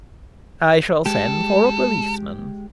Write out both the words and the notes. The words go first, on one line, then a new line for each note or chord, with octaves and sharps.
"I shall send for a policeman."
G#3 G4 A4